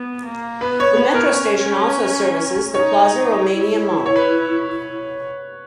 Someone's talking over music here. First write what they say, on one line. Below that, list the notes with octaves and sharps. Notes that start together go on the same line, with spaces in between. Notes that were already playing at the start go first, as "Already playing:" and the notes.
The metro station also services the Plaza Romania mall.
Already playing: B3
A#3
B3 B4
C#5
B4
A#4
C#4
D#4 C#5
E4
C#5
B4